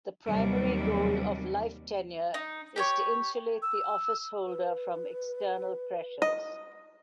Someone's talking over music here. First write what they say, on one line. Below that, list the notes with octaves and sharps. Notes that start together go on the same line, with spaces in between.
The primary goal of life tenure is to insulate the officeholder from external pressures.
D#2 C3 F#3 G3
D#4
G4 A#4 C#5
E6
B4
D#5